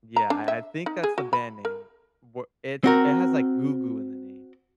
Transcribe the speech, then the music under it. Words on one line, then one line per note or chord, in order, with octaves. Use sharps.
Yeah, I I think that's the band name. W it's it has, like, Goo Goo in the name.
A#5
D4
E5
D#4
G#4
F#4
B5
A#4
C4 F#4 A#4